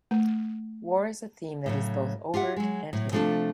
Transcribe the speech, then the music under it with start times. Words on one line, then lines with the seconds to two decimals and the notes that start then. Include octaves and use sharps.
War is a theme that is both overt and hidden.
0.11 A3
1.66 A2 C#3 F#3
2.34 F4 G4 E5 F#5
2.56 F#3 G#3
2.93 A2 F#3
3.12 C3 F3 A3 D4 F4 A4